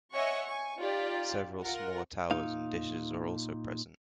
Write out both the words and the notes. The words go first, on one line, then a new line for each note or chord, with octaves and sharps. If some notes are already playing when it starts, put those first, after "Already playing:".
Several smaller towers and dishes are also present.
C#5 D#5 E5 F#5 G#5 C#6
G#5 C#6
D#4 F4 G4 D5
F4 A#4 F#5
A#2 D#4 F5